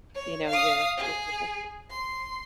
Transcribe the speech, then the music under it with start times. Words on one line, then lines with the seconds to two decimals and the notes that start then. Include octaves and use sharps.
you know, your your traditions.
0.15 C#5
0.48 F5 D#6
0.97 G#4
1.91 C6